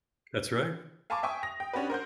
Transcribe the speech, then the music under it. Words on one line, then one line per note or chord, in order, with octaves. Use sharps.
that's right.
F5 G#5 A5 B5 C#6 D6
E5 G5 G#5 C#6 D#6
A#6 F7
G5
C#4 D4 F#4 G4 B4
A#4 C5 F#5 G6